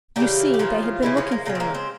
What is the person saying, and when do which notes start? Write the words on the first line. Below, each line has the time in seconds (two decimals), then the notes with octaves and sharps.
You see, they had been looking for her.
0.16 C#3 E3 G3 A#3 G4
0.54 G4
0.59 C#3 E3 F3 A#3 F4
1.02 C#3 E3 F3 G#3 E4
1.17 C#3 C#4
1.32 A#3
1.46 C#3 F3 G#3 A#3
1.55 C4
1.60 A#3
1.75 C4